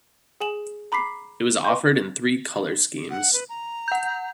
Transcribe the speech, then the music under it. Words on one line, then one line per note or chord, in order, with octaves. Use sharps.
It was offered in three colour schemes.
G#4 G#5 E7 F#7
A#5 B5 D6 B6 C7
B4 D#5 C6 C#6 G6
F#5
B4
A#5
F#5 G6